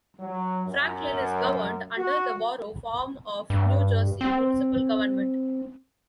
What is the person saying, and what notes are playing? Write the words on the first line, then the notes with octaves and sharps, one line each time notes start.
Franklin is governed under the Borough form of New Jersey municipal government.
F#3
F#2
F#4
G2
C4